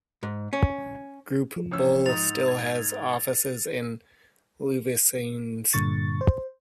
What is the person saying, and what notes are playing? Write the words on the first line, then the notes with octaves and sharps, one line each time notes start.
Groupe Bull still has offices in Louveciennes.
G#2
C#4
F3
A1 C#4 E6
G#2 D#4 D#6 A6 F7
G#6
G2 A#2 D3 C#6 A6
C5